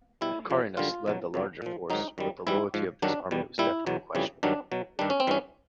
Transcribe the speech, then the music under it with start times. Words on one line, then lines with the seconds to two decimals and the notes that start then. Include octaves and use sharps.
Carinus led the larger force, but the loyalty of this army was definitely questionable.
0.21 B2 G3 E4
0.50 F2 C#3 F3
0.77 F#2 D3 G3 F4
1.06 E2 B2 F#3
1.34 F2 C#3 F#3
1.62 A#2 F3
1.90 G#2 D#3 F#3 D#4
2.18 F#2 D#3 G3
2.47 G#2 E3 G3 E4
2.74 G#2 F3
3.02 G2 D#3 F#3 D4
3.31 E2 B2 G3
3.58 A#2 G3 E4
3.86 E2 B2 F#3
4.15 F2 C#3 E3 G3
4.43 G2 D#3 F#3 D4
4.72 B2 F#3
4.99 G2 D#3 G3 D4
5.10 C#4
5.20 C4
5.27 G2 E3 G3 C#4